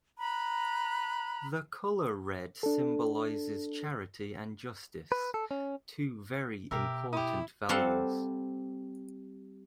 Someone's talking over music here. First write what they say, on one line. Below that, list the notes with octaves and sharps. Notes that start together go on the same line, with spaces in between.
The colour red symbolizes charity and justice, two very important values.
A#5 B5 F#6
D4 A4
B4
A4
C#4
B2 G4 A#4 E5
E4 G4 D#6
G3 C4 A4 F5 F#5